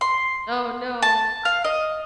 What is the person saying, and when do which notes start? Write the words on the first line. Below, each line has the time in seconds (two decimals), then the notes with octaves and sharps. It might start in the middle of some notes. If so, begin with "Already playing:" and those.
Oh, no.
0.01 C6
1.02 A5
1.45 F5
1.64 D#5